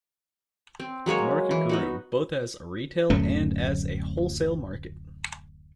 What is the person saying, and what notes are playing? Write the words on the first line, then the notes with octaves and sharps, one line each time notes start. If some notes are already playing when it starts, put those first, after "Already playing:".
The market grew, both as a retail and as a wholesale market.
C4
F#3 G#3 A#3 C#5
E3
B3 D#4 F#4
D1 F#2 A3